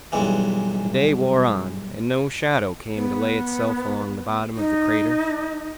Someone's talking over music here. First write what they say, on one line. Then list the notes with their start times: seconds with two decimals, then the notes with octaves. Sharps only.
The day wore on, and no shadow came to lay itself along the bottom of the crater.
0.12 B1 G2 E3 G#3
2.94 B3
4.56 D#4